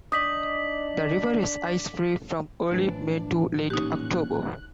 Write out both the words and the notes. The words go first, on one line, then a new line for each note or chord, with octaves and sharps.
The river is ice-free from early May to late October.
D4 D#4 D#5 D6 D#6 B6 F#7
A2 E3 F3 D4
A#2 C#4 D#4 G4 F#6